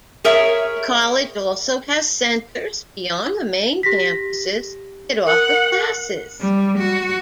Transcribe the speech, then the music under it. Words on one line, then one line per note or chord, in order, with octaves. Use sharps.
The college also has centers, beyond the main campuses, that offer classes.
G#4 A#4 C#5 E5
G4 A#6 B6
A#4 F#5
G3
F#4